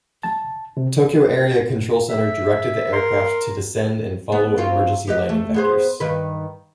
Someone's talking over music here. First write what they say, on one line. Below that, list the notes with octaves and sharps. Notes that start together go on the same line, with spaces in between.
Tokyo Area Control Center directed the aircraft to descend and follow emergency landing vectors.
A5
C3
E5
A#4 C6
B3
F#3 C4 F4
G4 B4 D#5
A3
B3 G#4 C5
G2 D#3 B4